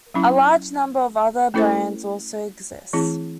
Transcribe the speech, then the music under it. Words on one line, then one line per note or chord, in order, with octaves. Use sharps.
A large number of other brands also exists.
F#3 C#4 E4
A3 C#4 E4 A4 C5
E3 A3 C4 E4 G#4